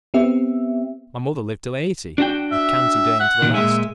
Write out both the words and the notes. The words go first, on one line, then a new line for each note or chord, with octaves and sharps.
My mother lived till eighty, a canty dame to the last.
B3 C4 G4 E5
D4 F#4 G5
E5
F#5
A#2 D#3
A#2 G#3 E5